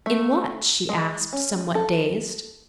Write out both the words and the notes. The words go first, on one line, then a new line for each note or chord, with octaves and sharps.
"In what?" she asked, somewhat dazed.
A3
G#3
C#4
A4